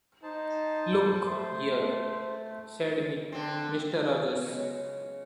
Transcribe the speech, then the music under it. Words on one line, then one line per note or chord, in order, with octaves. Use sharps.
"Look here," said Mr. Rogers.
D#4 C5 A5
A3 C5
D3 C4
C#3 F#3 G#3 B3